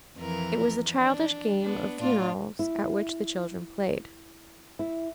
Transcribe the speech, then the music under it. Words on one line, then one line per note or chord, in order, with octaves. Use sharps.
It was a childish game of funerals at which the children played.
F2 E3 A#4
D4
B3 D4
A2 D4 F4
E4
E4